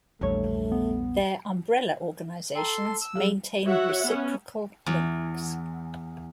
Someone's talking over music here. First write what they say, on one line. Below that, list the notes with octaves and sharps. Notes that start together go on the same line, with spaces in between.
Their umbrella organizations maintain reciprocal links.
A#1 E2 G2 A3 C#5
B3
A4 G5 A#5 C6
A5
E6
F#3 G4 G#4
F#4 C#5 E5 F#5
B3 C#4
E2